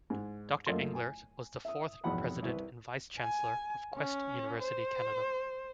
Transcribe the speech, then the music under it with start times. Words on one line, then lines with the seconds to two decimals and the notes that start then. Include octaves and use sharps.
Doctor Englert was the fourth president and vice-chancellor of Quest University Canada.
0.10 G#2
0.66 F#2 A3 A#3 F4 D#5 C6
0.95 G#5
1.65 E5 D#6
2.04 G#1 F2 B2 E3 F#5 B5
2.42 C2 B4
3.19 G#5
3.95 C#4
4.62 C5